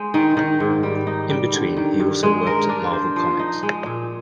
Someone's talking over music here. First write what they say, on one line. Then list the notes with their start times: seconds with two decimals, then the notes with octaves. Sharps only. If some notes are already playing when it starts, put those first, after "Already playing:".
In between he also worked at Marvel Comics.
Already playing: G#3 C5
0.14 D#3
0.37 D#3
0.60 G#2
0.83 G3
1.07 D#4
1.30 G3
1.53 D3
1.77 D#3
2.00 G2
2.23 G#3
2.47 A#4
2.69 D4
2.93 C5
3.16 F3
3.39 D#4
3.63 G#3
3.86 A#2